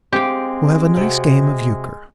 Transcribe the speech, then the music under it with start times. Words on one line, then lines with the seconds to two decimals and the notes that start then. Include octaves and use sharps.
"We'll have a nice game of euchre."
0.13 G#3 C4 G4 F5 G5
0.97 C3 F#4